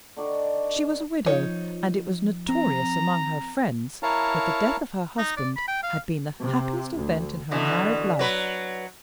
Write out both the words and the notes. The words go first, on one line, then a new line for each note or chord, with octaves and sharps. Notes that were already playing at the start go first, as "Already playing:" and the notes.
She was a widow; and it was notorious among her friends that the death of her husband had been the happiest event in her married life.
D3 D#3 D5 C#6
F3 D#4 C#5
C4 A#5
E4 A#4 C#5 F5 A5 A#5
D#4
D5
B5
G5
F5
C3
D2
B2 D3 E3
F#3 B4